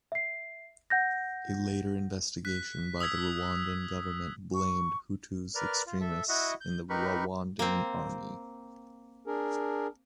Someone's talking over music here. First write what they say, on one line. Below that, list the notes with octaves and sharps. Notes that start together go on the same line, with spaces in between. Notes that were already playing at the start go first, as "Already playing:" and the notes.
A later investigation by the Rwandan government blamed Hutu extremists in the Rwandan army.
E5 C7
F#5 G6 A#6
F#6 B6
D#6 E6 G#6 B6
C#6
A#4 B4 D5 F6
F4
A4 E5
E4 F#4 D#5 E5 F#5
G6
D#4 G4 A#4 B4 B5 C#6
A#3 C4
D4 G#4 A#4